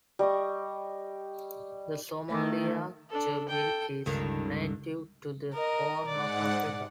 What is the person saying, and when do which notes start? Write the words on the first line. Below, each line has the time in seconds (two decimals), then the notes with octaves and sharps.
The Somalia gerbil is native to the Horn of Africa.
0.19 G3 D#5 C#6 D#6
2.29 D#3 A3
3.09 D4 A4
3.48 A4 G5
4.06 C#2 G2 D3 D#3
5.53 A#4 D#5
6.08 G#2 D5 F#5